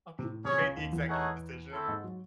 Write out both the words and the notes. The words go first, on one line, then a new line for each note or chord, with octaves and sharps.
Okay. You made the executive decision?
C3
A2
C3 C#4 G#4 C#5
C#2 C#3
D#2 D#3
E2 E3
A3 D#4 G#4 C#5 F#5
A3 C4 E4 A4
G#2 G#3
F#3